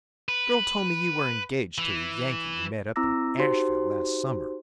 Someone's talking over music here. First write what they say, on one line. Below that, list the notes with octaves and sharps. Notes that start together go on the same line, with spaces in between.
"Girl told me you were engaged to a Yankee you met up in Asheville last summer."
B4
E3
C4 E4 A#5 D6 E6 A#6
D#4 F#4 G4 C5 C6